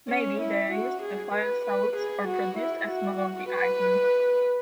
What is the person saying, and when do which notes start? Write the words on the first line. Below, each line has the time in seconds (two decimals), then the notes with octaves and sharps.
Maybe they are used to fire salutes or produced as novelty item.
0.09 C#4
0.40 E4
0.71 F#4
1.02 G#4
1.33 B4
1.65 B4
1.96 G#4
2.27 F#4
2.57 E4
2.89 F#4
3.52 B4